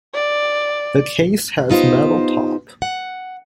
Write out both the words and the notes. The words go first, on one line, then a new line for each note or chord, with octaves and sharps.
The case has metal top.
D5
B3 D#4 F4 G4 C5
F#5